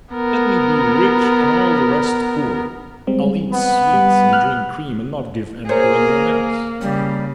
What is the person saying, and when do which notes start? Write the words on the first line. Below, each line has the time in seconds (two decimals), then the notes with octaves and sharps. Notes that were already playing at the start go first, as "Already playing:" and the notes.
Let me be rich and all the rest poor, I'll eat sweets and drink cream and not give any to any one else.
0.14 B3 A#4
3.07 G3 G#3 C4
3.50 B3
3.93 G3
4.33 F6 F#6
5.69 A#3 G#4 A#4 C5 C#5
6.82 C#3 G3